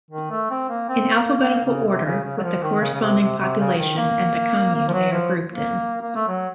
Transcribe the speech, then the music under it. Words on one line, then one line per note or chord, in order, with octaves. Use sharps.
In alphabetical order, with the corresponding population and the commune they are grouped in.
D#3
A3
C4
A#3
C4
A#3
A#3
C#3
C3
C#3
C#3
F#3
F3
D#3
C#3
C#3
C3
C3
C3
C#3
D#3
A#3
A#3
F3
F#3
F3
A#3
A#3
A3
F#3